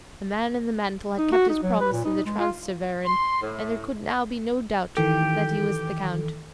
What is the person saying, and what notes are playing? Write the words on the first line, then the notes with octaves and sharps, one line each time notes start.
The man in the mantle had kept his promise to the Transteverin, and there could now be no doubt that he was the count.
D#4
F#4
D#4
F#3
B4
A#2
D#4
G#3
F4
C6
A2
D#3 E3 G4 A4